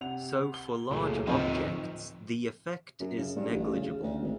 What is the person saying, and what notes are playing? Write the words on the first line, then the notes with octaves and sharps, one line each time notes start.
So for large objects the effect is negligible.
C3 F#5 F7
G7
C#2 A#2 F#3 A3 G#4
D1 F3 C4 D#4
F#2
C#3
G2
A1
C#3
D2
G#1